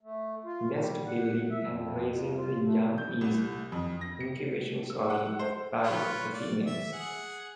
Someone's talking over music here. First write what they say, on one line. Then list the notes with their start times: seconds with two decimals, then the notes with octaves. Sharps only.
Nest building and raising the young is incubation solely by the females.
0.01 A3
0.44 F4
0.72 G3
1.05 F#5
1.50 E5
1.64 F2
2.07 F2
2.37 F4
2.63 A3
2.98 G6
3.21 C2
3.72 F2
4.01 A#6
4.20 C#7
4.90 E6
5.10 F#5
5.39 C5
5.84 F4 B4 C#5
6.33 D5
6.67 E5
6.93 G#4 F#5